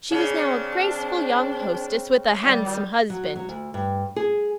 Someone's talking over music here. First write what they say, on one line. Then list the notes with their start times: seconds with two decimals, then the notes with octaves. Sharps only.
She was now a graceful young hostess, with a handsome husband.
0.12 C#3 C4 D4
2.44 D#3 G3
3.10 F#3
3.36 F#3
3.49 D2
3.74 G2
4.16 G#4